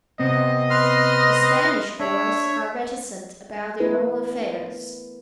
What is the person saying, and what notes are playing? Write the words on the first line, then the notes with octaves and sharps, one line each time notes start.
The "Spanish boys" are reticent about their own affairs.
C3 B3 C4 D#5
B4 C6 F6
D4 C#5 E5
A3 B3 E4 A#4 B4